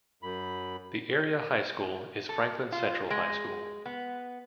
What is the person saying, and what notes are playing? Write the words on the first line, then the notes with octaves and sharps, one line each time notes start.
The area high school is Franklin Central High School.
F#2 B5
A4
F4
G#3
B3